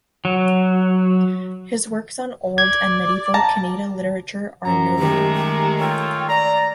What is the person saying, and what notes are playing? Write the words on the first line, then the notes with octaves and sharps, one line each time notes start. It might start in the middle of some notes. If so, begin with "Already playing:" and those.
His works on Old and Medieval Kannada literature are noted.
F#3
D5 G#6
A5 A#5
F#2 A#5
D#3 G#3 A3 G4
G4
F4 A4 C#5 G5
D5 A#5